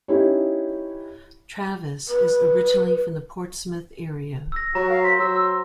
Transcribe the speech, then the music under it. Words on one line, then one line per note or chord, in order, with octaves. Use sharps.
Traviss is originally from the Portsmouth area.
C#4 D#4 E4 G4 C#5
B4
E6 A#6
F#3 F#4 A#5
A#4 F5
C5 B6
F#3 E6